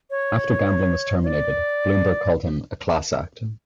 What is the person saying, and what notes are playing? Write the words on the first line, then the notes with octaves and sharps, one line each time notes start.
After Gambling was terminated, Bloomberg called him "a class act".
C#5
C#5
D5